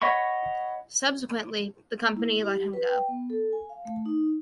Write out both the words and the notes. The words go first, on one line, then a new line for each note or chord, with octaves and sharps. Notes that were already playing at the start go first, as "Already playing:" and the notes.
Subsequently the company let him go.
C#5 D#5 F#5 B5 C#6
A#3
E4
G4
B4
G5
B3
A4
G#5
F5
A3
D#4